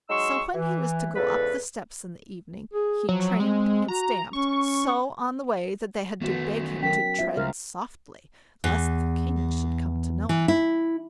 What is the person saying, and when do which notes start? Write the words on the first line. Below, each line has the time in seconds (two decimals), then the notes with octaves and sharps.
So, when he was to go up the steps in the evening, he tramped and stamped so on the way, that they had to beg him to tread softly lest the King should come to know it.
0.09 F#3 G#3 D#4 C6 C#6 E6
0.55 E3
1.16 E2 G#2 C#3 A4 B4
2.74 G#4
3.09 F3 F#3
3.40 G#3 C4
3.88 F#4 A#5
4.33 C#4 C#6
6.22 D#3 A3 B3 F#4
6.83 F#3 C#4 A#4 G5 B6
7.19 B3 F4 C5 E5
7.37 C#2 A#4 F6
8.64 E2
10.29 E3
10.48 E4